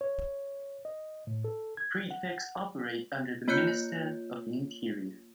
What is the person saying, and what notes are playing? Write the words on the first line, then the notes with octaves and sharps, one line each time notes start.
Prefects operate under the Minister of the Interior.
C#5
D#5
A2
A4
G#6
F#5
A#3 F4 C#5 F#6 G6 C#7